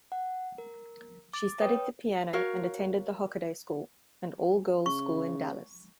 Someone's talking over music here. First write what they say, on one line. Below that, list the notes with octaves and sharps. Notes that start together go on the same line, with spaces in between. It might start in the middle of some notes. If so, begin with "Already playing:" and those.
She studied the piano and attended the Hockaday School, an all-girls school in Dallas.
F#5
A#4
D6 A6
B4 C#5 G5 D#6
F#4 A#4 C#5 F5
C#3 C#6